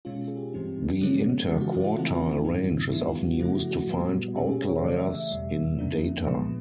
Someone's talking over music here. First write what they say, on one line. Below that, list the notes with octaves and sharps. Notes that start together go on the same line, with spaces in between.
The interquartile range is often used to find outliers in data.
B2 G#3 C#4 F4
G#4
G4
G2 E3 G3 C4 D#4
C#3 F3 G#3 C#4
C#3 E3 G#3 G4
F#4
F4
E4
C#3 E3 A3 C4 D#4 F4
E4
F4
G#2 D#3 G3 C4 D#4
G2 E3 G3 B3 D4 E4
F4
F#4
C#3 F3 A3 E4
F#4
F#4
A#2 G3 B3
B2 G#3 C#4 G4
G#4
C#5
C#3 E3 A3 D5
E5
E5
E2 B2 G3 E5
F2 D3 F3 A#3 D4
A#2 F3 G#3 B3